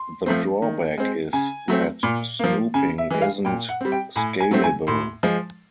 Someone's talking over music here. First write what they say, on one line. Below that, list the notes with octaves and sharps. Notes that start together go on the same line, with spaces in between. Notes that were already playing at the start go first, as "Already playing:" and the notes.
The drawback is that snooping isn't scalable.
Already playing: C6
F3 A3 C4
D#3
G#3 C4
C#3 G#5
F#3 A3 C4
A#2
F3 A#3
C#3 G#5
E5
E3 G#3
F5
A#2 G5
F#5
G3 C4
G5
A2 G#5
G#5
F#3 A3 C4
G#5
A2 C6
F3 G#3